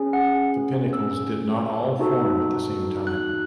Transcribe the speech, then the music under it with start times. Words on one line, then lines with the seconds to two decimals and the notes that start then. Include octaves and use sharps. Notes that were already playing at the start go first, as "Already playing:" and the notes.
The pinnacles did not all form at the same time.
Already playing: C#4 G#4
0.13 F#5
0.93 E6
1.99 D#4 F#4 A4
3.07 F#6